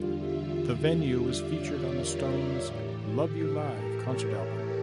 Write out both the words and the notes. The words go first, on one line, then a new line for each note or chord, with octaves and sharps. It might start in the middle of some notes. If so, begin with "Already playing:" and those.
The venue was featured on the Stones' "Love You Live" concert album.
Already playing: E2 D3 G3 F4
E5
D5
C#5
A#4
A2 E3 A3 G4
G4
A4
A#4
C#5
A4